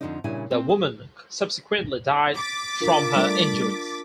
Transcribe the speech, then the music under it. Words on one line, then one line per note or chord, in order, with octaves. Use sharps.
The woman subsequently died from her injuries.
F2 A2 D3 F3 D4 D#4
A#2 C#3 G3 D4 E4 G#5
C4
G#4
D6 A6 B6
D4 F4 A#4
G3 A3 D4 A#4 D5